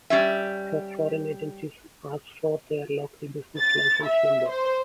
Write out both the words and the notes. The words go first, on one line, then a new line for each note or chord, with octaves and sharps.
For foreign agencies, ask for their local business license number.
G3 C#4 E5
A6
E5
C5